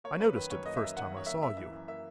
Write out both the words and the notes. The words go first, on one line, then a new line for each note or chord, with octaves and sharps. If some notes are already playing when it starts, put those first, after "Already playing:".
I noticed it the first time I saw you.
A#3 C#5
F#2 B4
D#3 B4
F#2 C#5
A#3 D#5
F#2 E5
D#3 F#5
F#2
C#5
A#3 E5
F#2 E5
E3 E5
F#2
A#3 E5